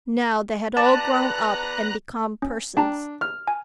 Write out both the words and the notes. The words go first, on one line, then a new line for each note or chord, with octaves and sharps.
Now they had all grown up and become persons.
E2 B3 B4 D5 A5 A#5 F#6
C#4
D4 G5 A5 A#5
F6
G#5